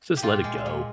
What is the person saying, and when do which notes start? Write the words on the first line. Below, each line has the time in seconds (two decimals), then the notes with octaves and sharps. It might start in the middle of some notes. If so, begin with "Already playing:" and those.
just let it go."
0.17 G4
0.22 A#2 F4
0.44 G#3
0.66 A#2